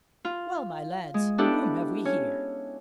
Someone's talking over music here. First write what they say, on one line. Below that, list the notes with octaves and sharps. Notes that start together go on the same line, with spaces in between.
"Well, my lads, whom have we here?"
F4
G#3
B3 D4 E4 G4 A4
C#4